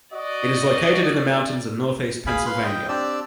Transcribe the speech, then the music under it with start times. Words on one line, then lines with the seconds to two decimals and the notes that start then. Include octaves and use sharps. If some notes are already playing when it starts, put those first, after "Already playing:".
It is located in the mountains of northeast Pennsylvania.
0.14 F#4 D5 D#5
2.27 G#4 F5 G#5 B5
2.46 B4 F5 B5 C6
2.64 D#5 G5
2.89 C4 D4 G4 D5 E6